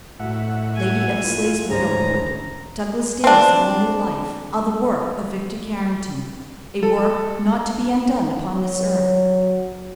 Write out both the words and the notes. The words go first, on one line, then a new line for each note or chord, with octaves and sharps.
Lady Eversleigh's widowhood, Douglas Dale's lonely life, are the work of Victor Carrington--a work not to be undone upon this earth.
A2 F#4 E5 F#5
G#5
A#3 E4 F4
D2 G#2 C#4 C5 A#5
C4 D4
A4
F#3